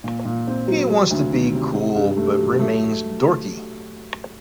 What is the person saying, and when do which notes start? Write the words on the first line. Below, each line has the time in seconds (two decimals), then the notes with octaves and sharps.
He wants to be cool, but remains dorky.
0.04 A#2
0.25 A#2
0.48 C4
0.68 F#3
0.90 F#3
1.11 D2
1.32 D#3
1.53 C3
1.75 D#4
1.95 G2
2.17 A3
2.38 F#3
2.59 A3